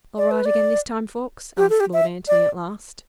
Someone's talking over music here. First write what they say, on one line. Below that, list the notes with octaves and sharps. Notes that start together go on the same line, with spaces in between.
"All right again this time, Ffoulkes?" asked Lord Antony at last.
D5
B4
D5
G4
A4
G4
E5
D5